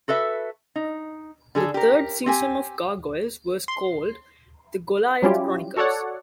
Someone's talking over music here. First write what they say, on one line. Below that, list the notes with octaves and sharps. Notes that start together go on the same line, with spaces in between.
The third season of Gargoyles was called "The Goliath Chronicles".
F#4 A4 B4 E5
D#4
D3 G#4 A4
G4 A#4
C4 G4 G#5
C6
F#3 G3 C#4 E4 F4 G4
F#4 A4 C#5 D5 F#5